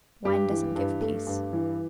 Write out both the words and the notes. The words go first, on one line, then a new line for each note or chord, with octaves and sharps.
Wine doesn't give peace.
G2 G4
E3
G2
A3
G2
E3